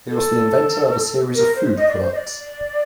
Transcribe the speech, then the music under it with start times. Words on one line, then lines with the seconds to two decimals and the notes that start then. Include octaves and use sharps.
He was the inventor of a series of food products.
0.10 A4
1.35 A#4
1.55 C5
1.76 D#5
1.88 D5
1.99 C5
2.12 D#5
2.15 D5